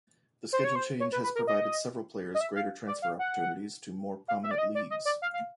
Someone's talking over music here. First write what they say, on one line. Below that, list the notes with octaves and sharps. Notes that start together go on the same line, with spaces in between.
The schedule change has provided several players greater transfer opportunities to more prominent leagues.
C5
C#5
C5
C#5
B4
B4
A#4
D#5
D#5
E5
F5
D5
F5
F#5
F5
E5
D5
D#5
D5
D#5
D5
F5
F5